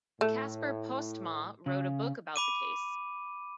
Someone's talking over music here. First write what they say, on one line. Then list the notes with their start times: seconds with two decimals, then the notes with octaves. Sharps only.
Casper Postmaa wrote a book about the case.
0.21 A2 A3
1.66 C#3
2.36 B5 D6 D#7